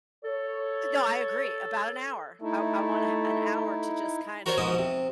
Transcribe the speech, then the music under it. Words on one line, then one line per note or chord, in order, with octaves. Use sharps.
Uh, no, I agree, about an hour, I w I want a ha an hour to just kind of
A4 C#5
A3 D#4 E4
F#4 A#4 C5 C#5 C6 C#6
G#2 B2 F3 B3 D#5
C3